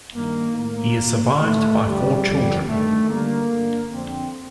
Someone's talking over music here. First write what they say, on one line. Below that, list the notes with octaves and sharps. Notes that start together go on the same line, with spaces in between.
He is survived by four children.
G2 D#3 A#3
A2 A#3
A2
A2 A3
G2 D3 G3
F2 D3
G2 D#3 A3
G2 D3 A#3
G2 D3
F2 D3 C4